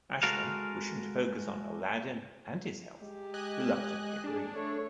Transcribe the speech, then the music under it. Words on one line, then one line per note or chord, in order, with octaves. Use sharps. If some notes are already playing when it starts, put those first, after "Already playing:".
Ashman, wishing to focus on "Aladdin" and his health, reluctantly agreed.
G#3 F#4 A4 A#4 F5
G#3 G4
D#5 G#5 F#6
G#3 D4 G#4
A3 A4 C#5